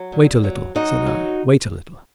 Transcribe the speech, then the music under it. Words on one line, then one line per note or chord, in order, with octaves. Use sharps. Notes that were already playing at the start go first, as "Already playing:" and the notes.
"Wait a little," said I, "wait a little."
Already playing: F#3
A#2
F#3
F#3 D#4 F#4
F#3